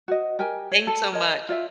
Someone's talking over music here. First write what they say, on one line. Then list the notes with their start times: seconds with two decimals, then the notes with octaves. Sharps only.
Thanks so much.
0.08 F#4 C5 D#5
0.39 G4 A#4 G5 G#5
0.71 C#5 D5
0.87 A4
1.13 A#4 C#5 D#5 G#5
1.49 F4 D5 E5